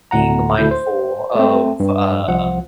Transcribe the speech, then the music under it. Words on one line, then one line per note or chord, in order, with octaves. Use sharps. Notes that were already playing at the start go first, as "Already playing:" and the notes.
being mindful of uh
D2 A2 F#5 A#5
D2 A3 E4 G6
C5
A3 C4
G2
C2 F3 F#5